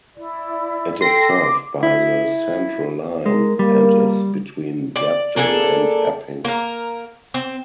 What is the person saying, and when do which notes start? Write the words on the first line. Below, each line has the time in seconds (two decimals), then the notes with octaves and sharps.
It is served by the Central line and is between Debden and Epping.
0.17 E4 D5
1.01 A4 G5 C6 A#6 C7
1.29 D6
1.83 E4
3.26 G#3 A#4
3.59 G3 A#3 A#4
4.96 D5
5.36 A#3 D4 G#4 A4
6.45 A#3 A#4
7.34 C4